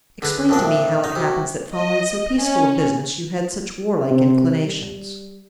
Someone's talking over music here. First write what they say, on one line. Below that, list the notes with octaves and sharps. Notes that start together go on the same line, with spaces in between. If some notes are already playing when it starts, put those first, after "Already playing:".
"Explain to me how it happens that, following so peaceful a business, you had such warlike inclinations."
D3 G#4 B4
F2 A#2 D4 A5
E5
D#4
C3 F#4
D#5
C#4
C3
G3